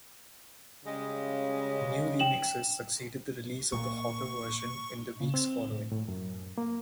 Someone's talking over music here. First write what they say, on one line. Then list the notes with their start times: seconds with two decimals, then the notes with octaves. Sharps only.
New remixes succeeded the release of the "Hotter" version in the weeks following.
0.85 C#3 G3 G#3
2.19 G5 E7 F#7
3.72 A#2 C#6
5.21 C#3
5.34 C4
5.71 A2
5.92 A2
6.08 F#2
6.58 A#3